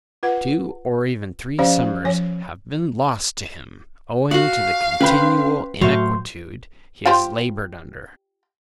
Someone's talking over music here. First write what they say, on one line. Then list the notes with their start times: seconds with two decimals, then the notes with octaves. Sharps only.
Two, or even three, summers have been lost to him, owing to the continual inquietude he has laboured under.
0.23 F4 B4 F#5
1.59 F3 C#4 G4 C5 D5 F5
2.05 F3 C#5 G#5
4.31 F#4 F5 F#5
5.01 C#4 B4 C5 G5 B5
5.81 A2 F#3 F#4 C5 E5 F5 C#6
7.06 F4 G4 C5